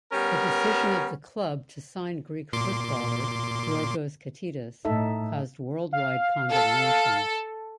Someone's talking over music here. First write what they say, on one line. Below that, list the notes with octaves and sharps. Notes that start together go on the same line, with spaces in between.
The decision of the club to sign Greek footballer Giorgos Katidis caused worldwide condemnation.
G3 B3 C#4 A#4
A#2 C6 D6
A2 A3 D#4 A4 E5
F5
A4